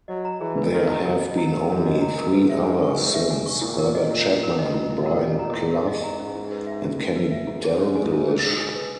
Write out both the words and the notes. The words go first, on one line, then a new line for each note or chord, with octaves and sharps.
There have been only three others since; Herbert Chapman, Brian Clough and Kenny Dalglish.
F#3 D#5
A#5
E3 G#4
B4
D#3 D#5
A#5
B2 A#4
D#5
A#5
A#4
F#2 A#4
D#5
A#5
A#4
G#2 B4
E5
G#5
C#6
B4
E5
G#5
C#6
A#2 E4
A#4
D#5
E4
E4
A#4
D#5
E4
A#2 E4
A#4
D#5
A#5
E4
A#4
D#5
A#5
G#2 C#4
E4
B4
E5
C#4
E4
B4
E5
G#2 E4
G#4
C#5
G#5
E4
G#4
C#5
G#5
B4